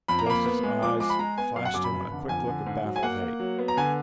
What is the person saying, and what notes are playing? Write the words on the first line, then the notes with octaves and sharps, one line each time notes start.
Joseph's eyes flashed him a quick look of baffled hate.
F2 B5
A#5
A#3 B5
B3
G#3
F3 D6
G#3 D6
B5
G#3 A#5
B3 G#5
F#2 F5
F#5
F#2 D6
B5
F1
D3
F2 G#5
D3
G#2
F#3
G#5
A#3 F#5
A#3
F#3
B3
A#5
D3 G#5